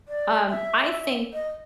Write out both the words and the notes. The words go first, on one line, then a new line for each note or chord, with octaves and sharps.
um, I think,
D5
E5
D#5